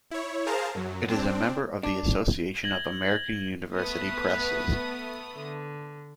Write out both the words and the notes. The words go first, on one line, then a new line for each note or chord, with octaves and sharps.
It is a member of the Association of American University Presses.
E4 C#5
G#4 A#4 C5 F5 A5 A#5
F#2 F#3
C4 D4
D4
G#6 A#6 F#7 G7
A3 B3 B4 D#6
D3